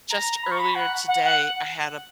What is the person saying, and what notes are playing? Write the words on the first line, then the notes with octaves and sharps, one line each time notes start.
just earlier today, I had a
A#5
B5
C#6
B5
F#5
F#5
F#5